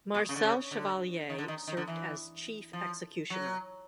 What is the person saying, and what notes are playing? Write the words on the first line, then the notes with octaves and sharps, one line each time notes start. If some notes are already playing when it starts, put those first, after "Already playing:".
Marcel Chevalier served as chief executioner.
B2
C#3
D3
C#3
D3
D#3
D3
D#3
D#3
D3
E3
F3
F#3